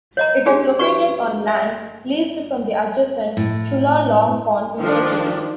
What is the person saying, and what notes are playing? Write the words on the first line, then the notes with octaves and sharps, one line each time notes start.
It is located on land leased from the adjacent Chulalongkorn University.
C#5 D#5 A#5
C#4 D4 G4 G#4 G#5
F#4 G4 B4 D5 C#6
E5
A2
D#3 F3 D4